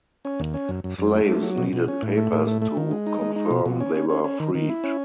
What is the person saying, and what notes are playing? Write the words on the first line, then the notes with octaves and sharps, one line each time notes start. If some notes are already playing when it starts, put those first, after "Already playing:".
Slaves needed papers to confirm they were freed.
C#4
D#2
C#4
F#2
F#2
F#2
A3
A3
F#3
B2
B2
C#4
A2
A3
A2
A3
A3
D#3
G#3
D#4
G#3
D#4
B2
B2
C#4
C#4
C#4
C#4
D#3
D#3
E4
C#4